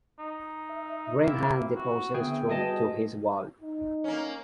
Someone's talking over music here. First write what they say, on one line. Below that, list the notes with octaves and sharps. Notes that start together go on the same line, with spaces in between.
Grant had the poster stuck to his wall.
D#4
E5
A#3 C4 E4
F#4
D3 B3 G#4 E5 G5
G3 F#4 G#4 B4 D#5 A5
D#4
A#3 C#4